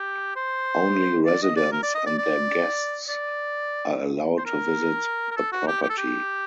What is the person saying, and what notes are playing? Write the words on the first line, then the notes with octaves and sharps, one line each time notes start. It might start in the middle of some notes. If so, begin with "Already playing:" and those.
Only residents and their guests are allowed to visit the property.
Already playing: G4
C5
D5
D#5
D5
A#4
D5
D#5
D5
D5
D5
C5
A#4
A#4
A4
F#4
G4
G4
A4
G4